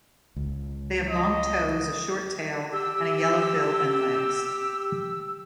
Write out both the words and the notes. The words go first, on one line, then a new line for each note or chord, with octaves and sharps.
They have long toes, a short tail and a yellow bill and legs.
C#2
D#5
G4 E6